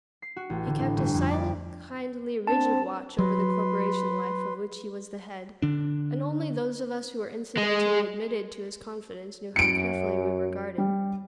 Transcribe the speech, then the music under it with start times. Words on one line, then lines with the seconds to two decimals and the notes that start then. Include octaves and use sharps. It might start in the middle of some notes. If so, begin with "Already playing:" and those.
He kept a silent, kindly, rigid watch over the corporation-life of which he was the head; and only those of us who were incidentally admitted to his confidence knew how carefully we were guarded.
0.22 C7
0.36 F#4
0.50 A1
0.66 D3
0.79 A2
0.97 G1
1.14 F2
1.31 D5
2.47 C4 D4 A5
3.19 F#3 B4 C6
5.62 D3 D4
7.57 G#3
9.56 F#2 C#7 D7
10.78 G3